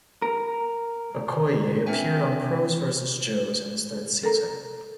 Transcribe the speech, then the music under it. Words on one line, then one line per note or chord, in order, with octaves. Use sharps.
Okoye appeared on Pros versus Joes in its third season.
A#4
C4 D4 B4 E5 G5 G#5
A4 A#4 A#5